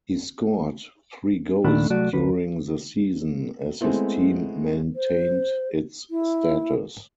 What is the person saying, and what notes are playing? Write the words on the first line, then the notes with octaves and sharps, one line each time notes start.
He scored three goals during the season, as his team maintained its status.
D#2 A#2 D#3 A3 D4 B5
C2 F#3 A3 F#4 D5
D2 B4
G#3 A3 B3 C4 E4
C5
E4